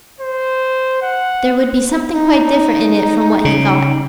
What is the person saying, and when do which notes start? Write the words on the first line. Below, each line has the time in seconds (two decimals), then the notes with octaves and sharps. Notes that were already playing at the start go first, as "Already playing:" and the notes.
There would be something quite different in it from what he thought.
0.20 C5
1.02 F#5
2.12 D#4
3.45 C#3